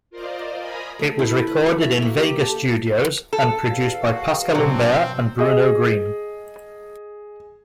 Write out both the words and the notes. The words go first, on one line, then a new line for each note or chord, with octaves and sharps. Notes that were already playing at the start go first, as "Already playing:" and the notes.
It was recorded in Vega Studios and produced by Pascal Humbert and Bruno Green.
F4 A#4 C5 D5 D#5 F5
G#5 A#5 B5 D#6
A3
E4
B4
F#4
E5
A#3
G4
A4
A4
E2 F5
F#4
B2 F#3 C4 D4 G4
G#4 D#5